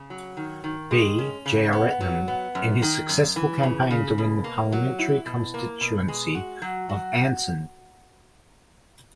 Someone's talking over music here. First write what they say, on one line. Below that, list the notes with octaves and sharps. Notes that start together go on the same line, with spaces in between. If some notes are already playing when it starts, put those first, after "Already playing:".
B. Jeyaretnam, in his successful campaign to win the parliamentary constituency of Anson.
Already playing: C#3
F#3
D#3
D#3
G#3
C#4
C#3
B3
F#3
B3
F#2
D#3
F#2
E3
C#3
C#3
B2
A#3
F#3
E4
B2
A#3
B2
G#3
F#4
F#3
F#4